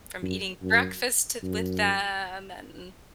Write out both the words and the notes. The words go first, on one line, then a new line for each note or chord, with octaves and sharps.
from eating breakfast to with them, and
F#2
F#2
F#2